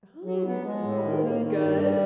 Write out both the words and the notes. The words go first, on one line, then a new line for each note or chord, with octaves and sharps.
Oh, bowling's good,
F#3
B3
G#3
A2
D#3
A#3
D#3
G2
G3